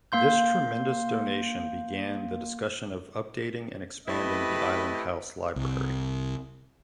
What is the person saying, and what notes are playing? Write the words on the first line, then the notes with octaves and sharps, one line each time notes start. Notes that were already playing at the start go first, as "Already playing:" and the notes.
This tremendous donation began the discussion of updating and expanding the Island House Library.
A#3 F5 C6 G6
A3 C4 E4 G4 B4 D#5
C2